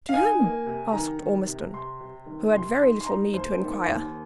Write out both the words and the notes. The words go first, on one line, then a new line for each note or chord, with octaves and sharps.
"To whom?" asked Ormiston, who had very little need to inquire.
F5
D#4 G#5
A#3
C3
D#3 A#5
D#3
C3
C3 C6
C3
D#3
C3 C6
D#4 C6
C6
D#4 A#5
D#2 C5
D#3
D#2